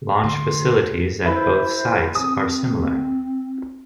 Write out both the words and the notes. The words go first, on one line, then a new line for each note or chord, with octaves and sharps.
Launch facilities at both sites are similar.
D2 G2 D3 C6
E4 B4 C5
C4 D#6